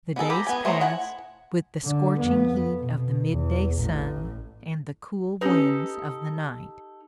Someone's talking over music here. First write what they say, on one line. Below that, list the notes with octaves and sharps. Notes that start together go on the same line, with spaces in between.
The days passed, with the scorching heat of the midday sun, and the cool winds of the night.
B3 D#4 G#4 A4
G4 G#4 A#5 B5
B3 G#5
A3 C5 C#5 D#5 A#5
E4 F#5 G#5
D3
F2 B3
B2
E2
A1 A2
C#4 D#4 G4 A4 B4